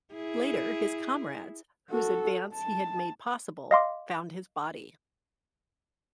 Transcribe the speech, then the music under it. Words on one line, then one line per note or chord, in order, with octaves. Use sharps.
Later, his comrades, whose advance he had made possible, found his body.
E4 G#4
F#4 A4
A5
D#5 F5 C6 D6